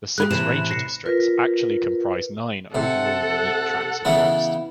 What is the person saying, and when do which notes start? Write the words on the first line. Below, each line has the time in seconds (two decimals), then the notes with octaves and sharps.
The six ranger districts actually comprise nine overall unique tracts of forests.
0.18 G#3 F4 G4 B5 F#6
0.31 A2 C3 E3 E7
0.70 A#6 C7 C#7
1.06 F4 A#4 B4
2.75 C3 A4 F#5
4.05 C#3 E3 B3